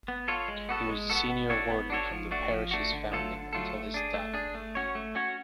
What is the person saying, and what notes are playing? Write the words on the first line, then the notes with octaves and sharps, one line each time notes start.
He was the Senior Warden from the parish's founding until his death.
B3
F4 A4 C#5
G#3
B3 F#4 A4
G#3
B3 F#4 A4
B3
D4 F#4 A4 C#5
B3
D4 F#4 A4 C#5
F3
A3 D4 F#4
F3
A3 D4 F#4
D3
F#3 A3 F4 A4
D3
F#3 A3 F4 A4
A3
D4 G#4
A3
D4 G#4
A3
C#4 F#4 C#5
A3
C#4 F#4 C#5